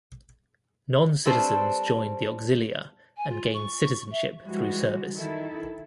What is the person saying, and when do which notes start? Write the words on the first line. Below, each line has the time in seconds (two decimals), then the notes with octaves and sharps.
Non-citizens joined the Auxilia and gained citizenship through service.
1.26 G3 A3 C4 D4 B4 C5
3.17 G#5
3.28 F4
3.53 C#6
4.11 E5
4.43 E3 F3 G3 G#3 F#4
5.14 D#3 E4 A4